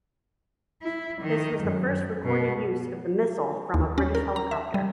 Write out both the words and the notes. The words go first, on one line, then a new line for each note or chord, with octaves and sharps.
This was the first recorded use of the missile from a British helicopter.
E4
D#3
F#2
B2
D#2
C#4
A#4
A#5
E5
G3